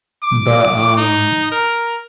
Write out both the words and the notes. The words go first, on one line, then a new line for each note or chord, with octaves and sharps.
But, um
D6
D#4
A#4